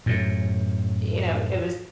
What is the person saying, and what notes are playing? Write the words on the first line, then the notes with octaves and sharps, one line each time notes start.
you know, it was
F#2 A2